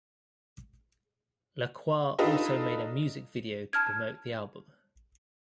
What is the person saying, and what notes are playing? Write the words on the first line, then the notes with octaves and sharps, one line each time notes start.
LaCroix also made a music video to promote the album.
D4 D#4 F4 A4 B4 D#5
A5 F6 G#6